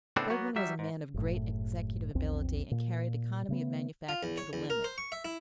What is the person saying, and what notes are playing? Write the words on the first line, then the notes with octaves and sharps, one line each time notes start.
Bergmann was a man of great executive ability and carried economy of manufacture to the limit.
A2 C#3 B3 C4 D4 A4
F#3 A#3 B3 F#4
F#3 G3 E5
G#2
F#1 A2
A#1 E2 C4
A#2
C#3 A3 B3
F4
E2
C#5
E2
A#4
C5
C#6
E5
E4